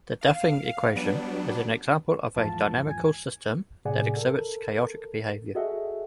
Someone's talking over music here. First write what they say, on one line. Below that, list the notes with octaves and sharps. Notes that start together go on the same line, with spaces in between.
The Duffing equation is an example of a dynamical system that exhibits chaotic behavior.
F5
F#3 G3 B3 D4
E2 G#2 F3 A5
G#5
A2 C3 G#4 D5 F#5 G#5
A4 A#4
F#4 G#4 A4 D#5 E5 F#5